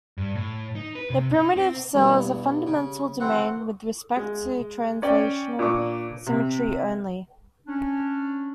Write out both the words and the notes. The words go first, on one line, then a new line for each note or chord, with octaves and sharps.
The primitive cell is a fundamental domain with respect to translational symmetry only.
G2
A2
D#4
B4
C3
D#4
C4
E2 G2 B2 G3
C#3
E3 C4 F#5
G#3
C#4 D5 G5
A#2 D4 C#6 D6
C3
C#4 D4